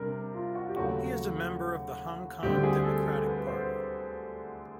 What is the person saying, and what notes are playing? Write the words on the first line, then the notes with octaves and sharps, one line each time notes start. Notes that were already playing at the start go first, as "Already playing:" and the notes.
He is a member of the Hong Kong Democratic Party.
Already playing: C3 G3 D4 A#4
F4
F#4
G4
D#2 C#3 F#3 A3 F#4
D2 D3 G3 C4 G4
G#4
A4
A4
B4
C5